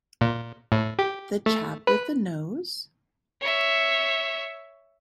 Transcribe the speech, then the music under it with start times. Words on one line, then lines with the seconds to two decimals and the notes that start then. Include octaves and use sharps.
The chap with the nose?
0.21 A#2
0.72 A2
0.99 G4
1.46 A3
1.87 B4
3.42 C#5 E5